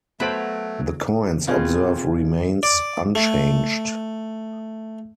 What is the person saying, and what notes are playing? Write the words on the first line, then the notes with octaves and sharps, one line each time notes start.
The coin's obverse remains unchanged.
F#3 A3 B3 C5 F#5 A5 B5 D7
B2 C4 F4 G#4
D5
A3